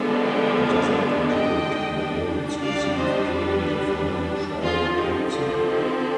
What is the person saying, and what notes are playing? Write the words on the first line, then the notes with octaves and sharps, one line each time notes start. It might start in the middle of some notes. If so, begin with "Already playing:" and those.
It does not include the votes received during the final Tribal Council.
Already playing: D3 F3 G#3 B3 D4
D#5 G5
D5 F5
D#5 G5
G3 D4
D5 F5
C5 D#5
G4 B4
D3 F3 C4 F4 G#4
D#4 G4
D4 F4
D#4 G4